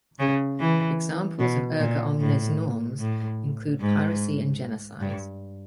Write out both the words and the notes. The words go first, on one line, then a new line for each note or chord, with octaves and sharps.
Examples of erga omnes norms include piracy and genocide.
C#3
E3
B2
A#2
A2
A2
G#2
G2